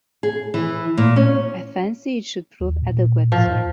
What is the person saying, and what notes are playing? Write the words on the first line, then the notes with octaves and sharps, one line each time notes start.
I fancy it should prove adequate, sir.
G#4
E3
A#2
C#4
D#2
A#2
A2 F3
E2